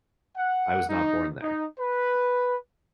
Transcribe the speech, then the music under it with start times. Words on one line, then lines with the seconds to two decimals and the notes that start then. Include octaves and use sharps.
I was not born there...
0.37 F#5
0.89 D#4
1.42 D#4
1.79 B4